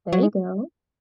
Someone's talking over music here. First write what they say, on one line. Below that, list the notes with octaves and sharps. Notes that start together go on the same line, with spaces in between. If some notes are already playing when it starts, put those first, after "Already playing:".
There you go.
F#3
G#3